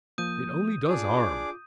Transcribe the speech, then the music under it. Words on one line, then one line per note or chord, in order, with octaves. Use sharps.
It only does harm.
F3 A#3 D#6 G6 D#7
D4 F4 G#4 D6